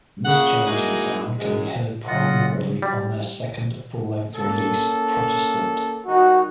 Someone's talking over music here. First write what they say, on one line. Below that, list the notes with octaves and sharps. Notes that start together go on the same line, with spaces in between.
This change in sound can be heard primarily on their second full-length release, "Protestant".
A#2 C#3 F#5
F#3 G#3 A#3 D#4 E4 G#4
F#2 G#3
C#3 F#3 F4 D#5 F#5
G3
A#3 C#4 A4
D#3 G3 D#4 F#4